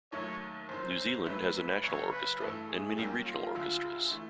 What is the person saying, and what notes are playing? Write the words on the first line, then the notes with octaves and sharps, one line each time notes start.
New Zealand has a national orchestra and many regional orchestras.
D#2 D#3 F#3 A3 C#5
F#1 F#2 D#3 C5
G1 F#2 D#3 F#3 A3 B4
B4
F#1 F#2 C#3 C#5
B4
G2 E3 A3 A4
G#4
F#2 D#3 G3 A#3 C#4 G4
F4
D2 D3 F3 G#3
E3 A3